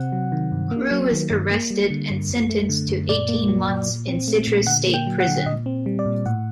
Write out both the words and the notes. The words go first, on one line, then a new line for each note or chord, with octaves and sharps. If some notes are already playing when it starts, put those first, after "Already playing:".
Crewe is arrested and sentenced to eighteen months in Citrus State Prison.
Already playing: C3 C4 F#5
F#3
D#3
G2
A#3
F#3
D#3
G2
A#3
G3
D3
G2
F#2
A3
D3
F#2
A#2 D5
A#3
F#3
A#2
A#2
C4
A3
A#2
D3 F#5
A#3
G5
F#3
F#5
D3
A#2 D#5
C4
G3
D5
A#2
A2 F#5